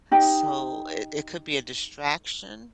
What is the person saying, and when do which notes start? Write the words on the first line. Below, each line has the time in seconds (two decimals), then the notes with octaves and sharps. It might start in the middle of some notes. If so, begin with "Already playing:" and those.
So, it it could be a distraction,
0.11 D#4 G4